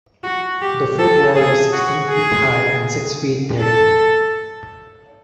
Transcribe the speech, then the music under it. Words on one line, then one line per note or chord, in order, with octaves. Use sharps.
The fort wall was sixteen feet high and six feet thick.
F#4
G4
A4
G#4
F#4
G#4
A4